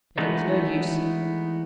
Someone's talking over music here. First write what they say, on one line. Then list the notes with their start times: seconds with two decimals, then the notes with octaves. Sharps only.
But it was no use.
0.18 E3 G#3 A3 B3 D4 D#4